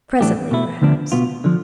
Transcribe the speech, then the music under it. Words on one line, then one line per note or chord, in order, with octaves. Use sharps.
Presently, perhaps.'
A2 E3 A3 D4 G4
B2 A3 E4
D2 D3 F3 B3 D4
B2 B3 F4
D3 F3